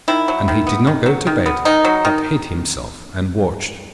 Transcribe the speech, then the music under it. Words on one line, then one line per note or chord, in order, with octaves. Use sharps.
And he did not go to bed, but hid himself and watched.
D#3 E4
F#3
D#3
B3
D#3
F#3
D#3
B3
D#3 D#4
F#3
D#3